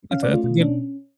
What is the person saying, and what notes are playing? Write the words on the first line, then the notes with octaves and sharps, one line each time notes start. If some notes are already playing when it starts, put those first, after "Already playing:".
That's a that's a good
C#4 F5
D5
A3 F4
B2 F4
C#4 D4